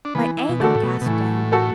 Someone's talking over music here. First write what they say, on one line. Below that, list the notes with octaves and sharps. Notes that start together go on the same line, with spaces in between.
"My ankle," gasped Anne.
D4
E3 B3
E3
B2
D3 A3 F#4 A4
A2
B2
B2
A2 E3
A3 F#4 A4